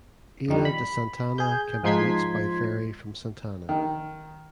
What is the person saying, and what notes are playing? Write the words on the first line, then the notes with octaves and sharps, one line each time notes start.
Ilha de Santana can be reached by ferry from Santana.
F2 D#3 G3
B5
G#4 G6
G#2 F3 D#4 C6 G#6 B6
D#3